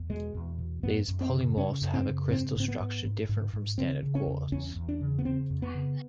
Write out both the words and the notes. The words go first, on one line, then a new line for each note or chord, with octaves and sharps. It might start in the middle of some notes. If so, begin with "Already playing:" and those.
These polymorphs have a crystal structure different from standard quartz.
Already playing: E2
B2 G#3
E2
B2
F#2 B3
F#2
C4
C#3
C#3 C#4
F#2
C4
C#3
G#2 C4
G#2 C4
B3
G#2
G#2
G#2
G#2
C#3 C4
C#3
C#4
E2
E2 C#4
E2
D4
C#3
B3
C#3 C4
F2
B3
C#3